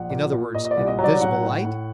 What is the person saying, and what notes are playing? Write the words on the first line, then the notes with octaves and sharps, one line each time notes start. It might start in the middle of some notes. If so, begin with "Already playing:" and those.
"In other words, an invisible light?"
Already playing: A#1 F#5
A#2
A#2
A#2 D#5
D#5
D5
C2
D#5
F#3
D5
A2 F#5
A2
A2